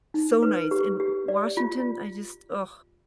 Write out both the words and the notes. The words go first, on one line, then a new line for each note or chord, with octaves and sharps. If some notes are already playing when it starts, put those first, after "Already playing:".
So nice. In W Washington, I just ugh,
D#4
B4
G4
G4
D5
F4